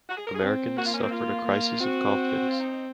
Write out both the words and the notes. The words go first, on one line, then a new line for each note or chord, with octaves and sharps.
Americans suffered a crisis of confidence.
F#4
G#4
A#4
G#4
C4
A#3 F#4
F4
C#4
C4
F4
A#3
C4 F#4
F4
D#4
D#4